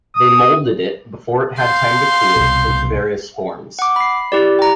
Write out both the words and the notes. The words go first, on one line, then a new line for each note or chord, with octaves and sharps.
They molded it, before it had time to cool, into various forms.
D#6
F5 C6 G6
C2 B2
F#5 D6
B5 C7
E4 G4 D5
G5 A#5